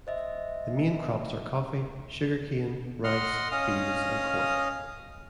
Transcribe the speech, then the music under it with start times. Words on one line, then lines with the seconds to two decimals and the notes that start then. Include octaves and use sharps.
The main crops are coffee, sugarcane, rice, beans, and corn.
0.07 C5 D#5 E5
3.04 D#5 F#5 C6 F6
3.51 C#4 D#5 F5 D#6